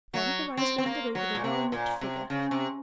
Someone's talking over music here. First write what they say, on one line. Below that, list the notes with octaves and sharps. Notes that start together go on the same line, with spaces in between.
Then her eyes wandered over the well-knit figure.
F#3
C4
C4
A#3
F#3
A#2
C3
A#2
C3
C#3
C3